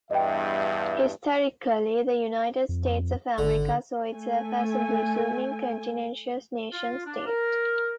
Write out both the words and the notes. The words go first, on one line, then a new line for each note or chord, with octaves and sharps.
Historically, the United States of America saw itself as a blossoming continental nation-state.
E2 G2 D#5 E5 G5
F2
G#1 D3
A3 G#5
F4
D4
A#4